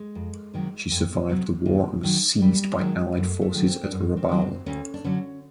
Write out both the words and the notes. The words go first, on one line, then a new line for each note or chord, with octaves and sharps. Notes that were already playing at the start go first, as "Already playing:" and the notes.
She survived the war and was seized by allied forces at Rabaul.
Already playing: G#3
F2
C3 D#3 F#3
F2
C3 D#3 F#3
D#2
D#3 F#3
D#2 G3
D#3 F#3 G#3
F#2 A3
A3
D#3 F#3
C4
D4
F#2 C#4
C4
D#3 F#3
C4
D2 C#4
D4
D3 F#3 C#4